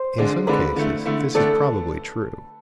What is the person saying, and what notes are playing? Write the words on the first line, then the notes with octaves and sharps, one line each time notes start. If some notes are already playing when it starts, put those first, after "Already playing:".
In some cases this is probably true.
Already playing: C5
D3 G#3 D4
D3 G#3 D4 B4
D3 A3 E4
D3 A3 E4
D3 A3 D4 A4